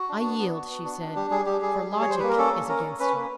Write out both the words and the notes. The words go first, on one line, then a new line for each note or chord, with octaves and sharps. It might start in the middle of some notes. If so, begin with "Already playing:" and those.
"I yield," she said, "for logic is against me."
Already playing: F#4
D4
B3
B3
F#4
B3
D4
D4
G3 G4
G3 G#4
G3 G4
G3 G#4
G3
G3
C#5
G3 C5
A#3 B4
A#4
C#4 A4
C#4
C#4 A#4
C#4
C#4 B4
A#3